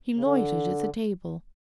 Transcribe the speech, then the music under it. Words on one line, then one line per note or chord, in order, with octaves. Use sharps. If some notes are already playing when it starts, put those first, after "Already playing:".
He loitered at the table.
C#3
D3